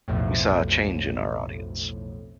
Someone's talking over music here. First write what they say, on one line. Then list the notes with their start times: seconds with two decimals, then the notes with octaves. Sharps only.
We saw a change in our audience.
0.08 B1 F2 A2